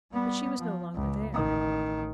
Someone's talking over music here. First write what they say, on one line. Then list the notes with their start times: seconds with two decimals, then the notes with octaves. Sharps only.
But she was no longer there.
0.12 G3 B3
0.59 F3
0.94 C#2
1.33 A1 D#3